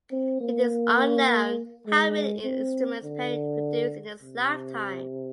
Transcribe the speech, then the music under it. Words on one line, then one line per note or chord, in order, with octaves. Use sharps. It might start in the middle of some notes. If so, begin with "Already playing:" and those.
It is unknown how many instruments Perry produced in his lifetime.
C4
A#3
G#3
C4
D3
C3